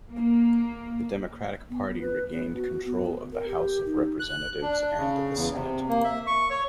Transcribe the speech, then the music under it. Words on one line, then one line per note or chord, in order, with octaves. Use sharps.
The Democratic Party regained control of the House of Representatives and the Senate.
A#3
B3
B4
B3
F#4
B3
A#4
G4
D#4
F#6
D4
C#3
E2
C3
A#3
E5
C#6
C#5